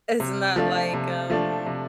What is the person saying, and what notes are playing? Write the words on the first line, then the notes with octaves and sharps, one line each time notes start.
it's not like, um,
C3
F3 A3 D4
C3
F3 A3 D4
C3